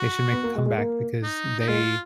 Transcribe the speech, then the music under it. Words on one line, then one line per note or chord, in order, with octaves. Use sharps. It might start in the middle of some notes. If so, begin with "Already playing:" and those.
they should make a comeback because they
Already playing: F#4
B3
A#3
G#3
G#3
A#3
D#4
D#4
G#3 F4